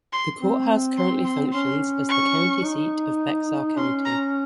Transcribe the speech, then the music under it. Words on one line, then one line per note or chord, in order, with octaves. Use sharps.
The Courthouse currently functions as the county seat of Bexar County.
C6
C4
C6
C6
C#4 C6
C#6
D#4
C#4 C6
A#5